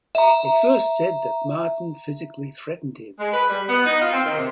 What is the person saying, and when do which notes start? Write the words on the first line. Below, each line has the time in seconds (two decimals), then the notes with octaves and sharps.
They first said that Martin physically threatened him.
0.15 E5 A#5
3.20 G#3
3.33 B4
3.49 G3
3.69 B3
3.86 D#4
4.02 F4
4.13 C4
4.25 D#3
4.37 C3